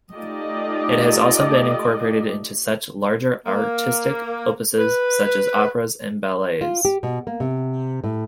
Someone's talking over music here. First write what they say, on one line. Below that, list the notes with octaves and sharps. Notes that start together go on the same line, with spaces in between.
It has also been incorporated into larger artistic opuses such as operas and ballets.
A3 D#4 F4 G4 D5 D#5
A#3
B4
F4
G4
B2
A#3
C3
A2